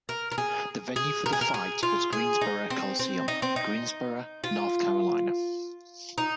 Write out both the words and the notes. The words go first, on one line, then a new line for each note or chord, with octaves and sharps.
The venue for the fight was Greensboro Coliseum, Greensboro, North Carolina.
A#4
A#4
G#4
G#4
A#4
G#4
A#4
G#4
F4
G#4
D#4
C4
C4
D#4
C4
D#4
F4
D#4